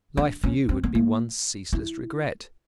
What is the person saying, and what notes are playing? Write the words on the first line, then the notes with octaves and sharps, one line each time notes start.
Life for you would be one ceaseless regret.
D4
C#4
C4
B3
A#3
E4